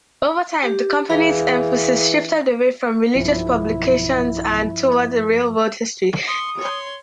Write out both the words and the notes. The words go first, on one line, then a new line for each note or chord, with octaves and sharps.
Over time, the company's emphasis shifted away from religious publications and toward railroad history.
G4
E3 E4 G#4 F5
B1 G2 F3 E4
C6 C#6 D#6
C#5 C6